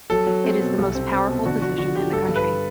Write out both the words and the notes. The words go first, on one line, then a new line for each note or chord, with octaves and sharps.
It is the most powerful position in the country.
F#3 A4
F#3
C4
B2
C2
C4
C4
B2
D3 F#4
D3 F#4
D3 F#4
D3 G4
G2 A4
G2
B4